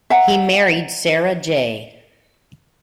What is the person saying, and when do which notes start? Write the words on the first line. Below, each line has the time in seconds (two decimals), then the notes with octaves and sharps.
He married Sara J.
0.10 E5 F#5 A#5